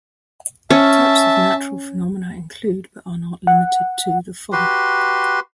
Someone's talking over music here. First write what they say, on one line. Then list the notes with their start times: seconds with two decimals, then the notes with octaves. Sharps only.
Types of natural phenomena include, but are not limited to, the following.
0.70 C#4 E5 A5
3.47 F#5
4.52 F#4 G4 B4 C6